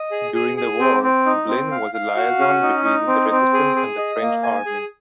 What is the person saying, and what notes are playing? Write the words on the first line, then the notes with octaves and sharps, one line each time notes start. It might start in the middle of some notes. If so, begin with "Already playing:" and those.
During the war, Blin was a liaison between the Resistance and the French Army.
Already playing: D#5
G#4
G#4
G#4
C4
C4
D#4
C4
F5
F5
F#4
C#4
D#4
D#4
C4
C4
G#4
G#4
D#5
A#3
G#5
G#4